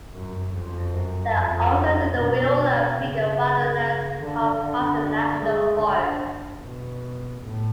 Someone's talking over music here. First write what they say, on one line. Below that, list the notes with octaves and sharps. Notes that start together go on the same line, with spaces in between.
They are also in the Wheeler Peak Wilderness of Carson National Forest.
F#2
F2
F#2
F2
B2
C#3
D3
D3
G#3
D3
B2
A2